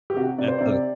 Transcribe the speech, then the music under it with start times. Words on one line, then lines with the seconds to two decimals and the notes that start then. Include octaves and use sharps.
that's a
0.10 G4
0.16 C3 F#4
0.38 C3 D5
0.48 C5
0.58 C3 D5